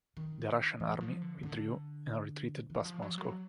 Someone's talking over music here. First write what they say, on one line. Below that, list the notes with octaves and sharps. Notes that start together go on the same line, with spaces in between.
The Russian army withdrew and retreated past Moscow.
D#3
E3
F3
D3
D3
E3
F3
F#3
F3
F#3